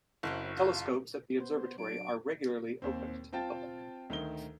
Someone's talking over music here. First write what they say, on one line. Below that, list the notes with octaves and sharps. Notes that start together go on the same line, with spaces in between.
Telescopes at the observatory are regularly opened to the public.
F#1 F#3 C4 E4
F4
B3 C5
F#3 D4 D7
D#2 C4
C4 F4 G5 A5 A6
D2 D#3 D#4 G7